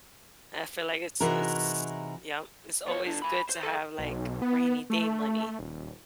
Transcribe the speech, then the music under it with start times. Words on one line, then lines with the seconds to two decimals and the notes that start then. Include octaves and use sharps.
and I feel like it's it's Yep, it's always good to have, like, rainy-day money.
1.20 C3 E3 D#4 F#4 G#4 A#4
2.88 B3 C#5
3.05 G2 D3
3.22 G#5 B5
3.49 C5
3.63 A4 F5
3.98 B1
4.42 B3
4.90 A3
5.59 D#1